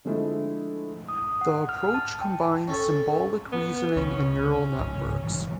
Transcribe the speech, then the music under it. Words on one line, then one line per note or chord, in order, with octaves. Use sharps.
The approach combines symbolic reasoning and neural networks.
D3 F3 G#3 A3 D4 E4
D#6
F#5
F6
A5
G5
C#4 A4 C#5
B3
C#2 C#4
C2 G#2 C#3
D#3 E3 G3